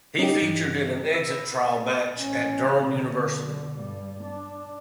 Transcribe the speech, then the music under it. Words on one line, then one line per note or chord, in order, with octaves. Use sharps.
He featured in an exit trial match at Durham University.
C#4 D#4 G4
G2 E3 G3
B4 E6 A#6
A1 C#4
B2 D3
G2 G3
D4